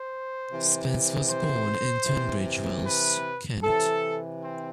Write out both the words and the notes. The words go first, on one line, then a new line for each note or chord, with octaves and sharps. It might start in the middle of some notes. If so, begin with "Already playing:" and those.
Spence was born in Tunbridge Wells, Kent.
Already playing: C5
C3 E3
C5
C3 E3
B4
C3 E3 A4
C4